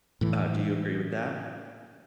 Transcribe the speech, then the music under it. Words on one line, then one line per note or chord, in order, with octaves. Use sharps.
Uh, do you agree with that?
A2 E3